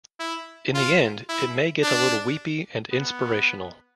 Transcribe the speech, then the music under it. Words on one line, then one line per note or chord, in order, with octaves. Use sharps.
In the end it may get a little weepy and inspirational.
E4
F4
E4
D4
B3